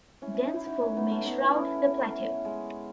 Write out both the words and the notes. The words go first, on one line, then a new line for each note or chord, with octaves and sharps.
Dense fog may shroud the plateau.
C#4 E4
C#4
D#4
E4
D#4 F#4
C#4 E4
B3 D#4
A3 C#4
B3 D#4
C#4 E4
C#4 E4
C#4 E4
G#3